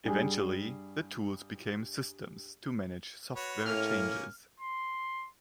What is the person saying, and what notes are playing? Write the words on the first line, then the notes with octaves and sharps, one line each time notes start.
Eventually, the tools became systems to manage software changes.
G2 G3 G#4
F#4 B4 C#5
A2 A#3 C#4 F6
C6